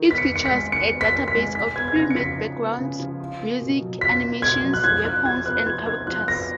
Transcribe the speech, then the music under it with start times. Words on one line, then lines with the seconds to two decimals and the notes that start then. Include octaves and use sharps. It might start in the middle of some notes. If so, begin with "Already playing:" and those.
It features a database of pre-made backgrounds, music, animations, weapons and characters.
Already playing: D#3
0.11 B3 B6
0.18 C#7
0.32 D#3 C#7
0.46 B6
0.52 G#3
0.72 D#3 C#7
0.94 B3
1.01 B6
1.14 D#3
1.28 B6
1.35 G#3
1.55 D#4 B6
1.76 B3 G#6
1.88 G#6
1.96 C#3 A#6
2.10 C#7
2.16 F3 B6
2.37 D#4
2.58 B3
2.78 C#3
2.99 F3
3.20 F4
3.40 A#3
3.61 B2
3.81 F#3
4.01 F4 B6
4.23 A#3
4.42 B2 G#6
4.64 F#3
4.74 F#6
4.84 F3 G#6
5.04 D#4 F#6
5.25 F3 G#6
5.46 B3 F#6
5.66 F3 G#6
5.86 D#4 G#6
6.07 F3 F#6
6.28 B3 A#6